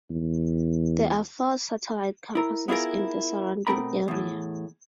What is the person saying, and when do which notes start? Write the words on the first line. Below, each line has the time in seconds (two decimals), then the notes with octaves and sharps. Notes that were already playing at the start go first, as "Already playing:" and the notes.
There are four satellite campuses in the surrounding area.
0.10 E2
2.35 E4 A#4
2.68 B3 E4 F4 G#4 A#4
3.67 B2 A3 C4 A#4 B5
4.08 E2 A2